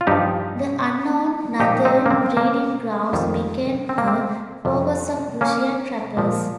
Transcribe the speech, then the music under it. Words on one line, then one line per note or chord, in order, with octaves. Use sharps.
The unknown northern breeding grounds became a focus of Russian trappers.
F4
G2 F3 D#4 G4
A#2 F3 D#4 G4
C4 D#4
A#3
C4
A#3
F2 D#3 G3
C4
A#3
C4
F2 C3 G3
A#3 C#4
A#2 F3